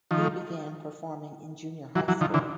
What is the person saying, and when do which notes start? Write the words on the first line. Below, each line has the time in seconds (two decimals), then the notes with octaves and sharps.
He began performing in junior high school.
0.11 D#3 F3
1.95 E3 F#3
2.08 E3 F#3
2.21 D#3 F3
2.34 D3 E3